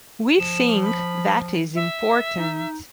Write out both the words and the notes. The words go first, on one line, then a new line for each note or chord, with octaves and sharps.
We think that is important.
F3 E7
B5
E5
D#4